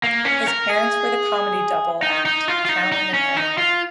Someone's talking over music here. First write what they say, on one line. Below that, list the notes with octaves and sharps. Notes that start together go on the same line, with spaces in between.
His parents were the comedy double act Callan and Emery.
A#3
C#4
A#4
G#4
D#4
D#4
F4
F4
D#4
D#4
C#4
D#4
F4